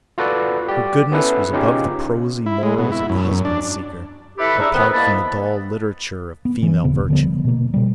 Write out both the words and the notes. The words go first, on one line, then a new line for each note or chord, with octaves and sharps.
Her goodness was above the prosy morals of the husband-seeker, apart from the dull literature of female virtue.
F4 F#4 A4 B4 D5
G4 D5
B3 C#4 E4 A4 B4
C#3 C#4 D#4 F4 G4
E4
G#3
B2
E4
F#2
F#2
D4
E4 G4 A4 B4
D4 G#4 A#4 E5
C3 D#3 B3
C2 A#3 D#5 A5 B5
B3
E3
D#1 C#3 B3
D3 F3 G3 B3
B2 A#3
B2 G3